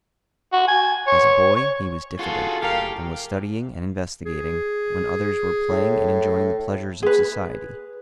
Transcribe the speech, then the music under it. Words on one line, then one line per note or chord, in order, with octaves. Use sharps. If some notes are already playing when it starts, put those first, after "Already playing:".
As a boy he was diffident, and was studying and investigating when others were playing and enjoying the pleasures of society.
F#4
G#5
C#5
C#5
F4 F#4 G#4 A4
F#1 A2 G4 A#4 F5
G#4
A2
G#4 B4